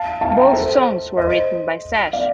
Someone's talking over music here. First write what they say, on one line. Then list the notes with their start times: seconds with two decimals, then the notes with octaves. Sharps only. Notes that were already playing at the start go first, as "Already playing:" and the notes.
Both songs were written by Sash!
Already playing: F5 A5
0.21 F5 A5
0.37 G5 A#5
0.53 A4 C5
1.17 C5 D#5
2.13 D5 F5